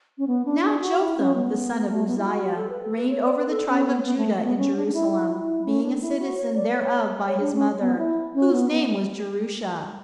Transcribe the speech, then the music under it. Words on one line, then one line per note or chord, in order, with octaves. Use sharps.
Now Jotham the son of Uzziah reigned over the tribe of Judah in Jerusalem, being a citizen thereof by his mother, whose name was Jerusha.
C#4
B3
D4
D4
F#4
E4
C#4
B3
A3
B3
E4
F#4
G4
A4
B4
A4
B4
C#5
D5
B4
A4
C#4
B3
B3
A3
A3
B3
C#4
D4
D4
E4
E4
F#4
E4
C#4
D4
E4
F#4
C#5
D5
B4
C#5
C#5
D4
C#4
B3
E4
C#4
B3
B3